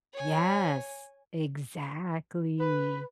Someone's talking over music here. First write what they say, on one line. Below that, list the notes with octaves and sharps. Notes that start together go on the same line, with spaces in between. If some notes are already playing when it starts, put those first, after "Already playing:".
Yes, exactly.
C#5 G#5
B4